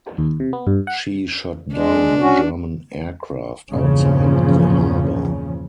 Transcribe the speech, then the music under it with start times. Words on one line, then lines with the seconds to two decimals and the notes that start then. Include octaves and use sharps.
She shot down a German aircraft outside the harbour.
0.18 D#2
0.40 C3
0.53 B3
0.67 G2
0.87 F#5
1.74 G#3 D4
2.21 C#4 F#4
3.73 E2 G2 A#2 C#3 F3 C#4